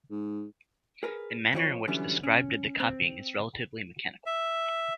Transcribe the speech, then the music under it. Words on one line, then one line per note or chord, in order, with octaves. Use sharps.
The manner in which the scribe did the copying is relatively mechanical.
G#2
G#4 A#4 B4
F2 F3 G4 C#5
D3 E3 F#3 G3 B3 C#4
C#4
C4
E5